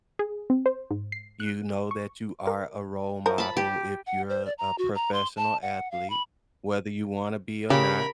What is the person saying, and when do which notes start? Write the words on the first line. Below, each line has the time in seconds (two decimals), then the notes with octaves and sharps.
you know that you are a role model if you're a a professional athlete, whether you wanna be or not.
0.19 G#4
0.50 C4
0.66 C5
0.91 G#2
1.12 C7
1.40 F#6
1.91 C#6
2.47 A#4
3.26 F3 A#4
3.38 A5 B5
3.57 G4
4.07 F#5
4.30 C5
4.46 D5
4.58 A#5
4.78 F#4
4.95 A#5
5.13 C6
5.37 A5
5.62 F#5
5.91 F5
6.10 B5
7.70 C#3 G4 A#4 B5